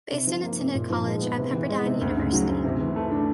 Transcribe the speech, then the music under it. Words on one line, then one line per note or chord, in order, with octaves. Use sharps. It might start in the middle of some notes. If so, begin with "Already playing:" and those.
Baisden attended college at Pepperdine University.
C3
F3
A#3
C3
A#2
F3
G#3
B3
C3
E3
G#3
C3
D2
C#3
F#3
D2
C3
E3
A3
D4